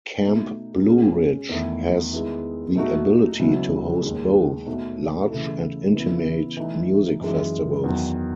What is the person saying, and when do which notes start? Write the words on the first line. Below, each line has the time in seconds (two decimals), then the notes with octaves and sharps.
Camp Blue Ridge has the ability to host both large and intimate music festivals.
0.23 B2 A3 D#4
0.86 B2 G#3 C#4 G#4
1.49 E2 D#3 A3 E4
2.13 D#3 G#3 B3 E4
2.76 B2 A3 D#4 F#4
3.39 C#2 B2 F#3 C#4 E4
4.03 D#2 D#3 G#3
4.67 B2 A3 D#4
5.30 C#3 E3 A3 E4 A4
5.93 C#3 E3 B3 E4
6.57 E3 A3 D#4
7.21 F#2 E3 G#3 D#4
7.84 E2 D#3 F#3